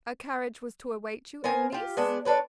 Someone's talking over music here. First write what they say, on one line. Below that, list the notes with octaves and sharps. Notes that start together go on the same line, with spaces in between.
"A carriage was to await you at Nice?"
B3 A#4 C5 G#5
F4 G4
G#3 B3 D4
D4 A4 B4 C#5